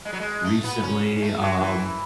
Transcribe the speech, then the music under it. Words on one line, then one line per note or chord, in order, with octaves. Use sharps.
recently, um,
G#3
F#3
G#3
A3
B3
C#4
A3
F#3
E3